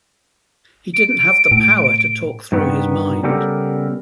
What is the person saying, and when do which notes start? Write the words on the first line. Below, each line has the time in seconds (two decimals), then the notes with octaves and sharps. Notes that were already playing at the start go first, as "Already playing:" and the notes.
He didn't have the power to talk through his mind.
0.94 D7
1.51 A2
2.52 G2 D#3 B3
3.23 C#3 G3 B3 G4 A4 A#4